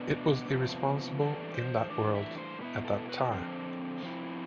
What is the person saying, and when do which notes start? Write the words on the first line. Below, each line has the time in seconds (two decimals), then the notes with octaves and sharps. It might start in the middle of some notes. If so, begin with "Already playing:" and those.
It was irresponsible in that world, at that time.
Already playing: B2 B3 D4
0.48 C3 F3 B3
1.19 E3 G3 D4 A4
1.55 C5
1.90 A2 E3 G3 D4 D5
2.15 E5
2.38 C5
2.61 B2 B3 E4 B4
2.85 A4
3.09 B4
3.32 D3 F3 C4 C5
4.03 F3 C4 E4